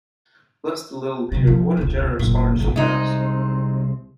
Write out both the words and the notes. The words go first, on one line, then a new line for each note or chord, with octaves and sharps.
Bless the little dear, what a generous heart she has!
C3 F#3
F3
E1 C#2
F#1 A#2
D1 G#1
C2 G#3 C4 D#4